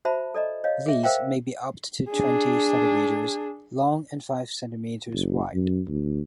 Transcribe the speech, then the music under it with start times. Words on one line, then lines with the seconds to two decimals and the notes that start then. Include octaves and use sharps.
These may be up to twenty centimetres long and five centimetres wide.
0.05 F#4 C5 E5 A5 B5
0.34 A4 D5 D#5 A#5
0.64 C#5 D#5 F5
0.86 G#4 E5
1.03 A#4 C5 E5 F5 G5 A#5
2.10 D4 G#4
5.13 F#1
5.54 F#2
5.88 D2